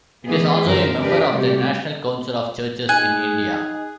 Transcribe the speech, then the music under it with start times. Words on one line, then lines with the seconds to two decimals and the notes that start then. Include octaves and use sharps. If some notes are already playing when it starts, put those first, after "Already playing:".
It is also a member of the National Council of Churches in India.
0.25 E3 A3 B3 G#4
0.64 F#2 D3 F#3 A#4 C5
1.01 D4 G4 G#4 A#4 B4 D5
1.32 C3 G3 A3 F#4 G4
2.89 D#4 G#4 G#5 F#6